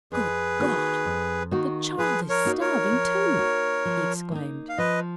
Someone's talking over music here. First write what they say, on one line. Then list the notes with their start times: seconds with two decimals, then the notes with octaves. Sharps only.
"Good God! the child is starving, too," he exclaimed.
0.12 F2 G#4 B4
0.59 D#3 A#3 D#4 F#4
1.05 F2
1.51 D#3 A#3 D#4 F#4
1.98 F3 G#4 B4
2.29 A#4 C#5
2.45 A#3 D#4 F#4
2.61 A#4 C#5
2.92 F3
3.38 A#3 D#4 F#4
3.85 F3
4.32 A#3 D#4
4.69 F5
4.78 F3 B4 D#5